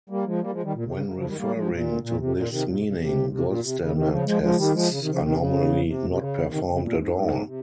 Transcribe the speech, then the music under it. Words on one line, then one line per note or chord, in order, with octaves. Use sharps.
When referring to this meaning, gold standard tests are normally not performed at all.
G3 A#3
F3 G#3
G3 A#3
F3 G#3
D#3 G3
A#2
C3
C#3
C#3
C#3 F3
D#3 G3
G3 A#3
F3 G#3
A#2
A#2
C3
A#2
C3 D#3
A#2
C3
C3
C3
C3
A#2
C3
C#3
C3 D#3
C#3 F3
F3 G#3
F3 G#3
D#3 G3
F3 G#3
C#3
C3 D#3
C#3 F3
C3 D#3
C#3
C3
C3
C#3
C3 D#3
C#3
A#2
G#2
G#2
C3